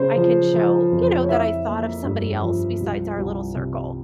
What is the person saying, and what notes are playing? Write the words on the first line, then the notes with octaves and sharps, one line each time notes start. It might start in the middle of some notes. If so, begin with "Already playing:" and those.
I can show, you know, that I thought of somebody else besides our little circle.
Already playing: C#3 C5
F3
F3
F2
C#5
E4 E5
A#3
G2
F3
C2
C2
C3